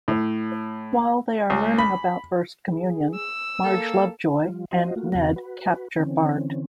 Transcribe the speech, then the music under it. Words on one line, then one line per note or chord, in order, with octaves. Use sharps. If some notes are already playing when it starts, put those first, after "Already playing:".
While they are learning about First Communion, Marge, Lovejoy, and Ned capture Bart.
A2
C#2
B5
G#4
E6
A#3 A4
F3 G3 F4
F4 F#4 C5 D#5
A3 A#3 F4 F#4
E2 C#3 C4 F#4 F5
F#4 B4
D3 E3 C4 C#4